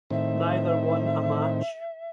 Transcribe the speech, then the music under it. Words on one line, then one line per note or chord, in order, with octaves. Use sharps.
Neither won a match.
A2 D#3 C4 E5